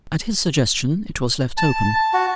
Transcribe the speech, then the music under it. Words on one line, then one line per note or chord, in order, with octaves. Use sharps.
At his suggestion it was left open.
A5
F#4